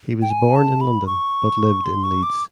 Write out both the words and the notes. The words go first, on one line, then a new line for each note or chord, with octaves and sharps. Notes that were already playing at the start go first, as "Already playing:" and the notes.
He was born in London but lived in Leeds.
G5
G#5
A5
B5
C#6
C6
C#6
D6